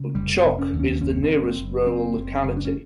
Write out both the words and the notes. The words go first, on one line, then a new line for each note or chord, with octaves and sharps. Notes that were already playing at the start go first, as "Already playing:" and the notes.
Bochokh is the nearest rural locality.
Already playing: C#3
F1 G3
B3
F1
C#4
D#2
C#4
F#1 C#4
C4
F#1
C4
F#1
F#1 C4
F#1
F#1
D4
C#4